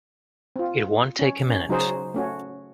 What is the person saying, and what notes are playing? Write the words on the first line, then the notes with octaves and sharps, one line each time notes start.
It won't take a minute!
C4 F4
C#4
C#4
C#3 F#3 D#4 F#4 G#4 C5
A3 C#4 F#4